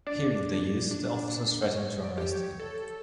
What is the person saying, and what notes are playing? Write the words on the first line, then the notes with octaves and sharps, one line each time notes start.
Hearing the youth, the officer threatened to arrest him.
D4 D5
D4
C#5
D5
G4
C#5
A4